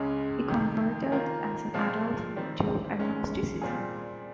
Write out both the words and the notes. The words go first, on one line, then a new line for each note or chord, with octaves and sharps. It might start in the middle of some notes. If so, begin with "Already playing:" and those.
He converted as an adult to agnosticism.
Already playing: C#2 C#3 G#3 C#4 G#4
F2 C3 D#3
D#3 A#3 F4 A#4
A#2 F3 G#3 C4 F4
D#3 G3 C4
D#3 G#3 C#4
A#2 G3 C4 F4 G#4